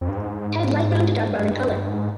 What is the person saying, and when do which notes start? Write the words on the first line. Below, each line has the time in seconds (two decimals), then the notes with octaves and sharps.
Head light brown to dark brown in color.
0.01 F2
0.09 G2
0.17 G#2
1.31 G2
1.51 G2
1.69 G2
1.89 G#2